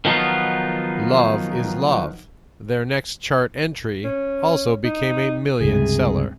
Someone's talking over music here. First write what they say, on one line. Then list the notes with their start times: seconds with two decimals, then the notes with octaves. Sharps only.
"Love is Love", their next chart entry, also became a million-seller.
0.05 D#3 F3 F#3 B3 D#4 F4
4.04 C#4
4.84 D#4
5.61 C#2 G2 C3 G#4